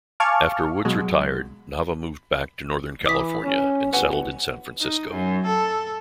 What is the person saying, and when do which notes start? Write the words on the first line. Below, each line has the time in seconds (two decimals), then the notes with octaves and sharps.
After Woods retired, Nava moved back to Northern California and settled in San Francisco.
0.20 F5 G#5 A5 C#6 D6 F6
0.85 B2 F#3 G#3
3.06 E3 D6 D#6 B6
3.44 C#4
3.93 G1 B4 F#5 G#5
4.80 D#4
5.11 F#2
5.46 A4